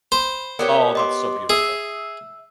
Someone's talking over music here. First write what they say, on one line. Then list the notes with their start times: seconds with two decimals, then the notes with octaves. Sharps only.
Oh, that's so beautiful.
0.12 C5 B5
0.59 B3 G4 A#4 C#5 D5
0.95 D#5 C6 D6
1.50 G#4 E5 E6 C7